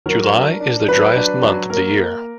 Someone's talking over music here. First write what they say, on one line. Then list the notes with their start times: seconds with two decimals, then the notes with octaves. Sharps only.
July is the driest month of the year.
0.06 F#3 A#4
0.34 D4
0.60 D4
0.88 F#3 B4
1.15 D4
1.43 F#3
1.70 A#3 A#4
1.97 A#3